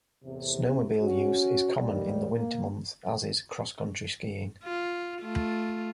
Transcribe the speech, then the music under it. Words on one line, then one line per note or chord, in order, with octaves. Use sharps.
Snowmobile use is common in the winter months as is cross-country skiing.
E2 A2 C3
C#4 F#4
D#2 G3
A#3
F4
A3 F4